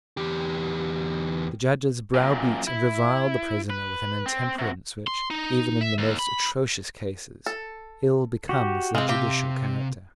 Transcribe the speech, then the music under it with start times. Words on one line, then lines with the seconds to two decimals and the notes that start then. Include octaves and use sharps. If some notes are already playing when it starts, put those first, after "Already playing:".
The Judges browbeat and reviled the prisoner with an intemperance which, even in the most atrocious cases, ill becomes the judicial character.
0.17 E2 G4
2.14 F#2 A#2
2.67 E4
3.70 B4
4.26 C4
4.59 C3 F#4
5.07 C6
5.31 D#4
5.81 E5
5.98 D#2
6.19 B5
7.46 A4
8.49 F#4 G4
8.95 C3 G#3 C4 F5
9.09 C4 G4